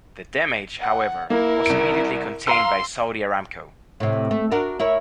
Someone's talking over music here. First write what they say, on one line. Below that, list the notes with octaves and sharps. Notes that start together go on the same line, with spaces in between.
The damage, however, was immediately contained by Saudi Aramco.
F#5
A#3 E4 A#4
C2 D7
F5 A#5 C6 E6
A2 C3
A3
D4 F#4 A#4
E4 A#4 C#5